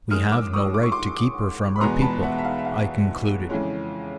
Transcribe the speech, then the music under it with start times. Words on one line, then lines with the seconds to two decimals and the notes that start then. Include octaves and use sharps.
"We have no right to keep her from her people," I concluded.
0.11 F#2 D#3 G#3 D#6 F6
0.32 D6 E6
0.53 C#6 D#6
0.74 D6
0.83 C#6
0.92 C6 D6
1.76 B5
1.80 E2 B2 G#3 B3 A#5 C6
2.02 A5 B5
2.22 E5 F#5
2.38 E5
2.44 F5
2.58 E5
2.65 F5
3.49 F2 C#3 E3 G#3 C#4